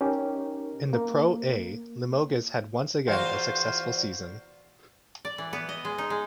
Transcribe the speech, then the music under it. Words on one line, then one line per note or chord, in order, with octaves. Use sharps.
In the Pro A, Limoges had once again a successful season.
C#4 D#4 G4 A#4
A#3
E2 F4 F#4 C5 F5
D5
E3
B3
D#5
G#3
D#4
G#3